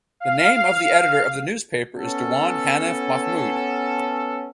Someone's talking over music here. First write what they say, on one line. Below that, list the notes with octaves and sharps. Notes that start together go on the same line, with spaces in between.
The name of the editor of the newspaper is Dewan Hanif Mahmud.
F5
B3 C#4 A4